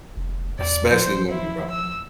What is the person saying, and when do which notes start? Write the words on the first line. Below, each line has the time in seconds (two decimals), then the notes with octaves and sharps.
Especially women, bro.
0.17 F1
0.59 E2 D5
0.91 F3 C5
1.30 E4
1.71 E6